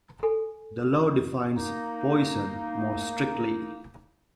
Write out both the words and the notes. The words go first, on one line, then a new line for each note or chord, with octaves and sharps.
The law defines "poison" more strictly.
A4 G#5
A#3 D#4